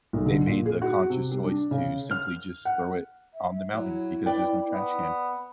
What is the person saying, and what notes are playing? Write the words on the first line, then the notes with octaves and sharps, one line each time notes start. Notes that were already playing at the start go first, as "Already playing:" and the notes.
they made the conscious choice to simply, just, throw it on the mountain because there's no trash can.
B1
D3
A#2
G#4
F#4
C3
G3
D4
C#3
F6
F#5
E5
F#3 E4
B4 D5 G5
B3